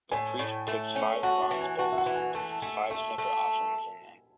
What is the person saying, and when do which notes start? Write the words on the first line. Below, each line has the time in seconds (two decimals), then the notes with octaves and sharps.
The priest takes five bronze bowls and places five separate offerings in them.
0.11 A2 G#5
0.39 A2
0.68 A3
0.96 C#4
1.23 F#4 A5
1.42 A5
1.51 E3
1.61 G#5
1.79 F#4 A5
1.92 E5
1.98 F#5
2.06 E3
2.16 G#5
2.35 A3 A5
2.62 A3 G#5
2.90 A3 E5
3.18 A3